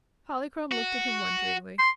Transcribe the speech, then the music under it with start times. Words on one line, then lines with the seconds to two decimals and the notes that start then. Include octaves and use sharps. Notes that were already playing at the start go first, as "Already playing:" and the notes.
Polychrome looked at him wonderingly.
0.71 F#4
1.79 C6